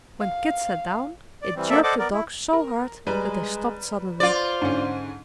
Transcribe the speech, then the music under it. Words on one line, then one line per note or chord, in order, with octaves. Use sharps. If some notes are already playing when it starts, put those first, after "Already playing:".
When Kit sat down, it jerked the dogs so hard that they stopped suddenly.
F5
D5
E3 G3 C4
F#3 A#3 C4 A4 D5 E5
A4 C5 D5 D#5 F#5 D6
B3 A#4 D5
E4
A#4
G3 G#3 B4 A#5
F4 C5 D5
G#2 D3 C#4